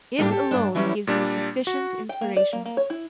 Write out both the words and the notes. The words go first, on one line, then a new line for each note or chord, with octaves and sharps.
It alone gives me sufficient inspiration.
A2 G3 A#3 D4 F#4 G4
G4 A4
G2 D4
E3 F#3 G3 C#4 E4
A#2 G3 D4
F#4
G5
A#3
D5
A#3
A#3
C#5
E4